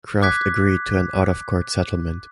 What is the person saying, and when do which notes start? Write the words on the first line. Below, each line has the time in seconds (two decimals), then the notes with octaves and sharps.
Kraft agreed to an out-of-court settlement.
0.22 D6 F#6 G#6 B6